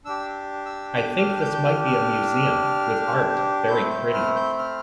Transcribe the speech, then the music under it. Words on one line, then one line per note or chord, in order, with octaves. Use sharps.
I think this might be a museum, with Art, very Pretty.
D4 G4 E6
E6
D6
F6
F6
G6
G6
F6
F6
A3 C4 E4 G6
G6
F6
G6
F6